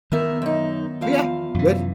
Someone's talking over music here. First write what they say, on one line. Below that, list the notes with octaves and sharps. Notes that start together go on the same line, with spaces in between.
Oh yeah. Good.
E2 D#3 B3 A#4 E5
F#2 D#4
E2 F3 F5
F#2 C3 E3